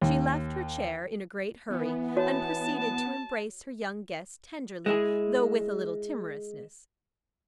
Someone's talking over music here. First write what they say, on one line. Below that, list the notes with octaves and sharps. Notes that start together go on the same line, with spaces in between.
She left her chair in a great hurry, and proceeded to embrace her young guest tenderly, though with a little timorousness.
D#2
E3 B3
F#4 C#5 A5
G#3 E4 G#4